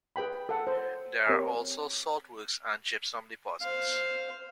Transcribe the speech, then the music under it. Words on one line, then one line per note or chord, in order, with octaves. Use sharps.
There are also salt works and gypsum deposits.
G#4 B4 G5 B5
A4 F#5
C5
C4 G4 A#4 C#5 G#5
C5 F5